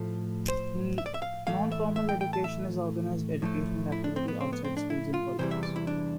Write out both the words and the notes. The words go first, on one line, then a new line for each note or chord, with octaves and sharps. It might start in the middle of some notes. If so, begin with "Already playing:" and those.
Non-formal education is organized educational activity outside schools and colleges.
Already playing: A2 F3 A3 A4
C5
E5
D5
E5
F5
A2 E3 A3 F5
E5
E5
G5
G5
A5
E5
A2 F3 A3
E4
D4
C4
B3
C4
B3
C4
D4
E4
F4
E2 C3 E3 G3 C5
E5
D5
E4
D4